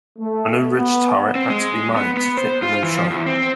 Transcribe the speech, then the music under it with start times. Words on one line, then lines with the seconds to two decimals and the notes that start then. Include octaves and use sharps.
A new ridge turret had to be made, to fit the new shape.
0.19 A3
0.75 B3
1.35 C4
1.50 G#3
1.96 B3
2.17 B3
2.37 C5
2.62 F4
2.83 E3
2.97 F3
3.10 E2
3.26 C4